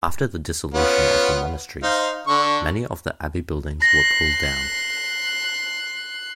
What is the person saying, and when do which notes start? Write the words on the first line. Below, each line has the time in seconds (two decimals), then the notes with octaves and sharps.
After the dissolution of the monasteries, many of the abbey buildings were pulled down.
0.74 B3 C#4 F4
1.83 D#4 C5 F5
2.27 D3 C#6
3.82 C6 F#6 A#6